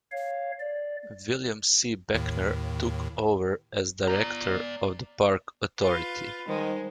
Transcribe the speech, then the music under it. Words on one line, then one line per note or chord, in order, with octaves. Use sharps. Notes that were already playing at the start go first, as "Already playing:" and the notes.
William C. Beckner took over as director of the Park Authority.
C#5 F5
D5
D#2 A2 D#3
D5 A#5
F4 B4
D#3 G3 G#3 C5